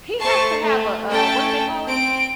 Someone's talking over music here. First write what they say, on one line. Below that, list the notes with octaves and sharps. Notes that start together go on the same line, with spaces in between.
He has to have a a what do they call it?
A3 C5 A5 C#6 C7
A3
A3 C#4 A4 G5 A5
C4 D7